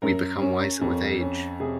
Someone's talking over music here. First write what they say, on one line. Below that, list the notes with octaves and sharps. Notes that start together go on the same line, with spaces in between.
We become wiser with age.
F#2 A#4
C#4
F2
C#4
C3 G#4